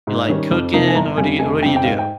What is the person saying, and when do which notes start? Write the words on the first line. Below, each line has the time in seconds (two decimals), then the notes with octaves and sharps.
You like cooking, what do you what do you do?
0.07 G#2
0.29 D#3 G3 C#4
0.51 F2
0.73 C3 F3 A#3 D#4
0.88 G#5
0.95 G1 A#5
1.17 F2 C#3 G3 G#5
1.39 F1 G#5
1.62 C#3 G5
1.66 F2
1.76 G5
1.84 G#2 F5
1.99 G5